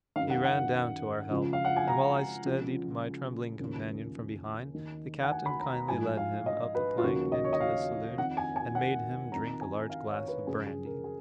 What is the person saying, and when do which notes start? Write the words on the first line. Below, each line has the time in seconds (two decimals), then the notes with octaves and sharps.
He ran down to our help, and while I steadied my trembling companion from behind, the captain kindly led him up the plank into the saloon, and made him drink a large glass of brandy.
0.16 F#2 D#3 F5
0.30 F#5
0.44 F#5
1.30 C#2 C#3 F3
1.53 F5
1.65 F#5
1.76 G#5
1.88 A#5
2.45 C#2 C#3 F3
3.59 D#2 C#3 F3
4.74 D#2 D#3
5.23 F#5
5.31 G#5
5.46 B5
5.60 A#5
5.74 A#5
5.88 G#2 F3 G#5
6.17 F5
6.46 D#5
6.75 B4
6.98 F4
7.03 D#2 C#3 F3 F#4
7.32 D#5
7.44 C#5
7.53 D#5
7.60 F5
8.18 F2 D#3 F#5
8.37 G#5
8.56 G#5
8.75 F#5
9.32 F2 D#3 A#5
9.61 G#5
9.90 F5
10.09 C#5
10.28 B4
10.47 F#2 C#3 F3 G#4
10.66 G#4
10.85 A#4
11.04 G#4